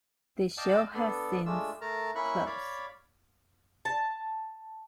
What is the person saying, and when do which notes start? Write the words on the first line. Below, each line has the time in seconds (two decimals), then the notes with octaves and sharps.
The show has since closed.
0.58 D5 D#5 F5 G5 A5 E6
0.94 B3 D4 A4
1.46 G#3 A3 D4 F4 E6
1.81 A3 A#4 A5 A#5 F6
2.15 A#3 C#4 E4 B5 C#6 F#6
2.46 C#5 D5 F5 B5
3.85 A5